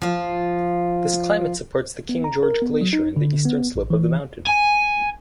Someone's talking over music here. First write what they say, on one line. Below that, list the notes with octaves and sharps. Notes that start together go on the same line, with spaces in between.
This climate supports the King George Glacier on the eastern slope of the mountain.
F3 F4
B3
A#5
A#4
B3
F#3
D#4
D3
B3
A1
E3
G#5